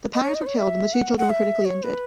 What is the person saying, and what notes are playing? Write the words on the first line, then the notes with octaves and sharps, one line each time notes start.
The parents were killed, and the two children were critically injured.
D#5
C#5
D#5
B4
C#5
E5
F#5
F#5
E5
C#5
B4